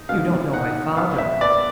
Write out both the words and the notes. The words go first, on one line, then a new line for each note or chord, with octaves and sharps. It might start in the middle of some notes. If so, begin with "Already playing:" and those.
"You don't know my father."
Already playing: D#4
B2 F5
D#4 F#5
B3 F5
E5
B3 D5